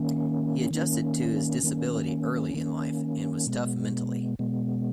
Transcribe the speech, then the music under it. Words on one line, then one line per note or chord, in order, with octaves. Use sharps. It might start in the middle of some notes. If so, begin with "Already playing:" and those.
He adjusted to his disability early in life, and was tough mentally.
Already playing: D#3 A#3 C#4
D#3 A#3 C#4
D#3 A#3 C#4
D#3 A#3 C#4
B2 G#3 B3
B2 G#3 B3